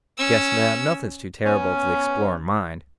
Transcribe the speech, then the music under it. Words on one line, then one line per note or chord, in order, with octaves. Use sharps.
'Guess, ma'am, nothin's too terrible to the explorin' mind.
C#4 E6
B3 C#4